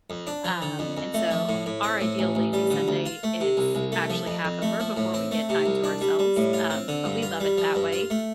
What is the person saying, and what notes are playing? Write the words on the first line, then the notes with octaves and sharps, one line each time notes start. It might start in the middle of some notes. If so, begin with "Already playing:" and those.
Um, and so, our ideal lazy Sunday is actually half over before we get time to ourselves, um, but we love it that way.
F2
D4
F3
D3
F2
F2
A3
F3
A2
A2
C4
A2
A1
A1
G3
D3
D2
F4
A3
C3
C2
C2
A3
F3
F2
F2
A3
F3
A2
C4
A3
C3
C2
D4
G3
G3
A2
F4
C4
D3
G2
F4
G3
F3
G2
F4
A3